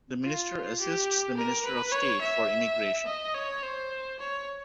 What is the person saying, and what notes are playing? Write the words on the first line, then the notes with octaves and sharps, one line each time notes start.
The minister assists the Minister of State for Immigration.
F4
G4
A#4
B4
C#5
E5
D#5
C#5
C5
C#5